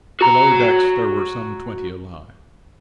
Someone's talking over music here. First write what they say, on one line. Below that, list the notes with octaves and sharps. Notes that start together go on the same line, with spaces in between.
Below decks there were some twenty alive.
F#4 A#5